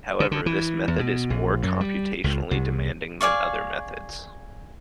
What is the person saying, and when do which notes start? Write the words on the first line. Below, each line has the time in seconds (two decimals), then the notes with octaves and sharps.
However, this method is more computationally demanding than other methods.
0.20 D3
0.31 D3
0.46 E3
0.88 E2
0.99 B2
1.30 A#1
1.63 F#2
1.81 G3
2.24 C#2
2.51 C2
3.21 G#4 D5 F5 C#6